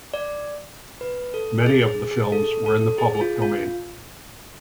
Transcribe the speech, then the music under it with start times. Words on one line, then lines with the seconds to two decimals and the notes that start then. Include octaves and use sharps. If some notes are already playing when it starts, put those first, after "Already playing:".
Many of the films were in the public domain.
0.14 D5
1.01 B4
1.34 A4
1.66 G#4
1.88 G#4
2.11 G#4
2.32 A4
2.66 A4
2.98 G#4
3.15 G#4
3.21 F4
3.42 F4